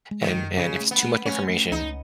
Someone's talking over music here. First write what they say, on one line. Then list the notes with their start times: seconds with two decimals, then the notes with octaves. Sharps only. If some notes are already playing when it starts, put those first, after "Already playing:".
And and if it's too much information,
0.11 G#3
0.23 D#3
0.34 F#2
0.57 C#3 C#4
0.80 A3
0.91 B3
1.03 A3
1.26 A3 C#4
1.49 A3
1.71 C#2 D#4